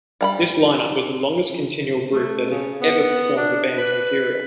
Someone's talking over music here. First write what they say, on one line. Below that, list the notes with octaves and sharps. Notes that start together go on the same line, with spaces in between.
This line-up was the longest continual group that has ever performed the band's material.
G3 A#5 B5
A3
C#3
B3
D4
B4